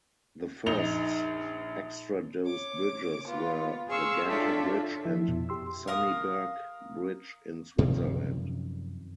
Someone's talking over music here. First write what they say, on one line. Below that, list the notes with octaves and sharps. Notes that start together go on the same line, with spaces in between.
The first extradosed bridges were the Ganter Bridge and Sunniberg Bridge in Switzerland.
A#1 D#4 F7 G7
C#5 D6
B3 F4
G#4 F5 C6 C#6 E6
D4 F4 A4 C#5 E5 G5
F3 E4 E5
F2 B2
G4 C6 E6
A#4 F5 D#6
F#2 C3 D#3 F3